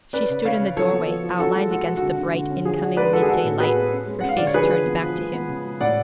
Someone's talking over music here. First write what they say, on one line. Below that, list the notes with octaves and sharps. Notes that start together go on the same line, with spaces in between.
She stood in the doorway, outlined against the bright incoming mid-daylight, her face turned back to him.
C#4 B4 D5
C#3
C#3 C#5 F5
C#4
F3 A4 C#5
B3
F3
F3
C#4 F#4 A4
G#3
G#3 F#4
B2
F#4
D3
D3
D3
C#4
F3 G#4
D4 F#4
G#3 B4 D5
D4 F#4 A4
G#4
D4 F#4 A4
A2
B3 G#4 B4
B3
C#4
G#3
C#4 F#5
F5
D3 D5
C#5
F3 G#4 B4
F3
B3
F3
G#3
B3
C#3
G#3
A2 D5 F#5